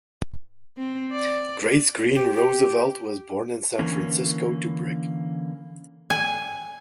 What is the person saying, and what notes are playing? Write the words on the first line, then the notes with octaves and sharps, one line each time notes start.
Grace Green Roosevelt was born in San Francisco to Brig.
C4
D5
G4
G4
D3 E3 A#3 C#4
G#5